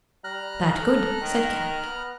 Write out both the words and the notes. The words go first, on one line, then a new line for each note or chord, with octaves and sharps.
"That good," said Kadok.
G3 A#5 F6 F#6
A4
D#3
B3